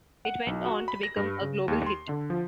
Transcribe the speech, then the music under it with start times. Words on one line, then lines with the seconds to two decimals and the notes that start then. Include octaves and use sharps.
It went on to become a global hit.
0.25 F#5
0.47 B1
0.66 F#4
0.88 B5
1.03 A#6
1.17 G2
1.41 C#3
1.68 D#2
1.86 C6
2.09 D3
2.30 F3